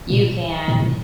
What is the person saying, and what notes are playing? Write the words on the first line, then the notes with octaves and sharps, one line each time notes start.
you can
A#2
A2
G#2
A2